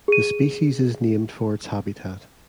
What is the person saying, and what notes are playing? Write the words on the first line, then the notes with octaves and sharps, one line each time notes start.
The species is named for its habitat.
G#4 D#7